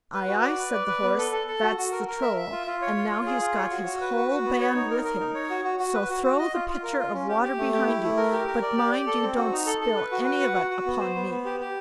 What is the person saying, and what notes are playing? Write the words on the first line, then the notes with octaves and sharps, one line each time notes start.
'Aye, aye', said the Horse, 'that's the Troll, and now he's got his whole band with him, so throw the pitcher of water behind you, but mind you don't spill any of it upon me.'
B4
F#4
D5
B4
D5
B4
B3
A4
A4
A4
F#4
F#4
A#4
A#4
E5
E5
F4
F4
C#5
F4
F4
G#4
F4
C#5
F#4
F#4
B4
F#4
F#4
B3
C#5
D#4
A#4
A#4
D#4
C#5
F#4
F#4
F#4
B4
F#4
F#4
D#5
F4
F4
A#4
F4
C#4
G4
G4
A3
G4
E4
A3
A#4
G4
A#4
D5
G4
D5
A4
C4
F#4
D#4
A4
A4
B4
F#4
B4
F#5
F#4
F#4
B3
C5
B3
B3
G4
G4